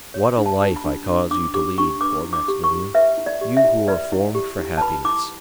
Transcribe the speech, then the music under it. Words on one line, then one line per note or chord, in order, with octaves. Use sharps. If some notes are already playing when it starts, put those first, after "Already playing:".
What a life I cause you to lead, poor Maximilian, you who are formed for happiness!
C#5
D4
A5
G4
B5
D4
C#5
D4 D6
G4 D6
D4 C#6
B4 D6
E4
D6
G4
C#6
E4
B4 E5
E4
D5
G4
E5
E4
B4 D5
E4
G4
E4
A5
B4 B5
E4 D6